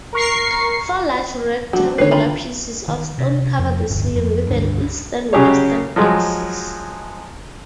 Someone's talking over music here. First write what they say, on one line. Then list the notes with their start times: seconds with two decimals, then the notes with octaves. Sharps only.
Four large rectangular pieces of stone cover the ceiling with an eastern-western axis.
0.13 A#4 C#6 C7
1.73 F#3 D4 F#4
1.98 D3 D#3 B4 C#5 C7
2.11 F4 A#5 B5
2.88 D#3
3.18 C3
3.59 F2
3.90 D1 G1
4.15 F2
4.50 C#2 G2 D3 D4
5.33 C#3 F#3 G4 G#4 C#5
5.96 F3 F#3 G#3